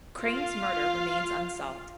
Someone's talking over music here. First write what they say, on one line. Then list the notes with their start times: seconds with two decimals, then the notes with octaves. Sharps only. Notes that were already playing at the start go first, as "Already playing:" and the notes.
Crane's murder remains unsolved.
0.21 F4 F5